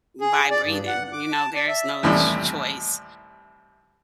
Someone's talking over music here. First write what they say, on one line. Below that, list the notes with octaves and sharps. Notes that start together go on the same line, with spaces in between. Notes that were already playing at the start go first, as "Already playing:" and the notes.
by breathing, you know? There's no ch choice
G#4
D5
G2
F#5
D6
A5
D5
E5
D#2 A2 C3 E3 G3